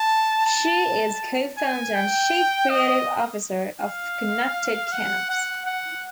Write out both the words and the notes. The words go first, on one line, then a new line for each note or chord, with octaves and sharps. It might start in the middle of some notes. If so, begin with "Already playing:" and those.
She is co-founder and Chief Creative Officer of Connected Camps.
Already playing: A5
A5
G#5
G5
D#5
F5
F#5
F#5
F#5